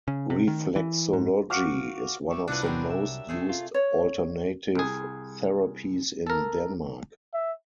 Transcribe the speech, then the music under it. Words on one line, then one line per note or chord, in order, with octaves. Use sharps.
Reflexology is one of the most used alternative therapies in Denmark.
C#3
C3
D#3
E3
G#2
F#4 F5 D6
E5 C#6 D6
C2 E3 F3 D4 F#4 B4
F#3 G3 C4 A#4 B4
E5
C3 A3 G#4
F4
C#5
C2 G#4
A4 A#4
E5